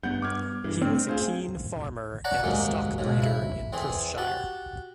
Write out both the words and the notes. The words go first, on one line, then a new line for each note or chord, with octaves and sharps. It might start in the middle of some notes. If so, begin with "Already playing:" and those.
He was a keen farmer and stock breeder in Perthshire.
G2 B3 F#5 G6
D6 F6 G#6
G2 E3
A3 C4 D4 F6
F4 G#4 C5
C#5 D5 F#5 A5 A#5
D#2 G#2 F#3 A#3 C#4
B1 G#2 C#3
E4
E2 E3 C4 G#4
F#4 G4 A5